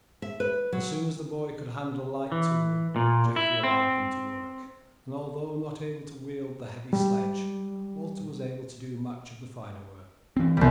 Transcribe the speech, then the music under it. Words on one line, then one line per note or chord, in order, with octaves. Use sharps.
As soon as the boy could handle a light tool Geoffrey allowed him to work, and although not able to wield the heavy sledge Walter was able to do much of the finer work.
E5
B4
F#3
E3
A#2
E4
C4
G3
E3 C4
D1 C2 G3 A3 B3